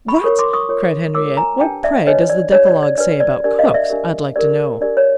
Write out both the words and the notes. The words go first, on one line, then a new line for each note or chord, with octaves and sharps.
"What!" cried Henrietta "What, pray, does the decalogue say about cooks, I'd like to know?"
B5 C#6
F4 A#4 C#5 C#6 D#6
C6 D6
C#6 D#6
F4 A#4 C#5
F4 A#4 C#5 D6 E6
G#5 A#5
D4 G4 B4 G5 A5
D5 E5
D4 G4 B4 C#5 D#5
D5
D4 G4 B4 C#5
D5
D5
D4 G4 B4 D5
D5
D4 G4 A#4 D5
D#5 F5
D5 E5
D4 G4 A#4
D4 G4 A#4 D5
D4 G4 A#4 D5
C#5